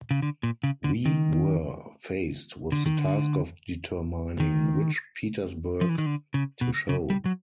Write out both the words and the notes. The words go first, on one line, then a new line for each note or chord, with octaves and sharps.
We were faced with the task of determining which Petersburg to show.
C#3
D3
A#2
C#3
D3
D#3
D3
D#3
D3
D#3
F3
E3
D#3
D3
C#3
B2
C#3
G3
F#3